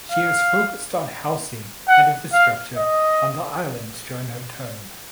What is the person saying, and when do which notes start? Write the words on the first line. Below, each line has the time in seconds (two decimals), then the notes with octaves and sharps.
She has focused on housing and infrastructure on the islands during her term.
0.12 F5
1.88 F#5
2.33 F5
2.77 D#5